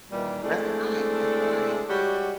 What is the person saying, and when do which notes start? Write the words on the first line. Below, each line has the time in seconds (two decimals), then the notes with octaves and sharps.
That's right, that's right.
0.12 A#2 D#3 E3 G3
0.43 G#3 A3 C4 D4 E4
1.89 G3 G#3 F#4 G4 C#5 D5